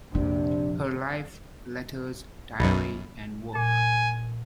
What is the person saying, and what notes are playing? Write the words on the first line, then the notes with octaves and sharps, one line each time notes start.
Her Life, Letters, Diary, and Work.
A#1 F2 C3 F3 D4
B1 F#2 B5
A#2 G#5